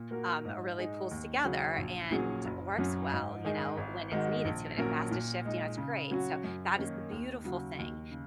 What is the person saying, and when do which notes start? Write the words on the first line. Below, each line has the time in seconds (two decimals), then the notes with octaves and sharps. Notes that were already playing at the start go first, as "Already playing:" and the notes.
um, really pulls together and works well, you know, when it's needed to, in a faster to shift, you know, it's great. So that is the beautiful thing,
Already playing: A#2
0.11 A#3 F#4 A#4
0.45 G#2
0.78 G#3 D#4 G#4
1.11 D#2
1.44 C#3 F#3 C#4 G#4
1.78 A#1
2.11 A#2 F#3 C#4 G#4
2.45 F#1
2.78 F#2 F#3 C#4
3.11 G#2
3.45 D#3 G#3 D#4 G#4
3.77 G#1
4.11 G#2 D#3 G#3 F#4
4.45 A#1
4.78 A#2 F#3 C#4 A#4
5.11 A#2
5.45 G#3 D#4
5.77 C#3
6.11 F#3 C#4 F#4
6.44 F#2
6.77 D#3 A#3 C#4
7.11 D#2
7.44 C#3 F#3
7.78 D#2
8.11 C#3